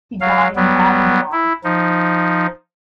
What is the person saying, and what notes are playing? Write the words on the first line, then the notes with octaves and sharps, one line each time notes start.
He died in Avignon.
F#3 F5
F#3 G3 B3
E4
F3 D#4